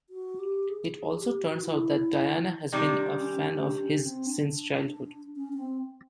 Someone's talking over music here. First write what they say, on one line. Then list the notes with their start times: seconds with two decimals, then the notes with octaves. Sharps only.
It also turns out that Diana has been a fan of his since childhood.
0.10 F#4
0.39 G4
0.69 G#4
0.97 G#4
1.19 G4
1.42 F#4
1.63 E4
2.72 C3 D#3 G3 D#4
2.95 D4
3.07 D4
3.17 C#4
3.39 C#4
3.60 D4
3.83 C#4
4.05 C4
4.27 D4
5.36 C#4
5.53 C#4
5.58 C4